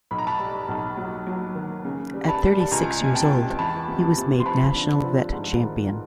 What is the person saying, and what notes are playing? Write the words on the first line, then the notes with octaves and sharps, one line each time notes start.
At thirty-six years old, he was made National Vet Champion.
B1 B5
A#5
A5 B5
G3
B1
F#3
F#3
D#3
C#3
G3
A5 B5
G3
A5
C#2 G#5 A#5
C3 G#5
G5 A5
C#2
E2 A5 B5
C3
C3
C6
F3 A5 B5
D3
F3
G#2
D#3